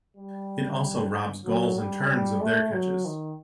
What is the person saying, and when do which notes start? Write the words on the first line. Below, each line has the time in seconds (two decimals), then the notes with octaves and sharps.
It also robs gulls and terns of their catches.
0.17 G3
1.45 F#3
1.78 G3
2.09 G3
2.41 A3
2.73 F#3
3.05 D#3